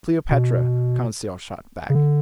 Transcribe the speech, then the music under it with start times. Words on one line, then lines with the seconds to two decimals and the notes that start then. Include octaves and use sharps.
"Cleopatra," Conseil shot back.
0.31 B2
1.90 C#3
1.95 D3